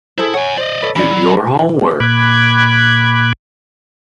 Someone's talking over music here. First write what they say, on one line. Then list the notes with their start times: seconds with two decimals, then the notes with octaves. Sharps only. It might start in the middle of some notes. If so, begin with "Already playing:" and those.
Do your homework!
0.18 E4 G#4 A4 C5
0.34 C#5 F#5 G#5
0.57 C5 D5 D#5
0.82 A4 B4 C#5
0.96 E3 C#4 D5 B5
1.11 F#3
2.00 A#2 B5 D6 F#6 G#6